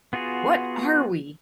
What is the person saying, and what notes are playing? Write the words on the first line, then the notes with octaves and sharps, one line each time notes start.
What Are We?
B3 F4 F#4 G#4